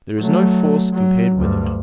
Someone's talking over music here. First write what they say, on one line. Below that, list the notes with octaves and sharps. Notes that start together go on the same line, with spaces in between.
There is no force compared with it.
F#3 A3
F#3
D2 G2